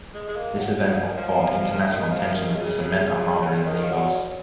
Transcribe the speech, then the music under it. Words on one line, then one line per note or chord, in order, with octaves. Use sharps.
This event caught international attention as the cement armada in Lagos.
G#3
G#3
A#3
F#3
F#3
F3
D#3
F3
D#3
F3
D#3
C#3
C#3
D#3
F3
F#3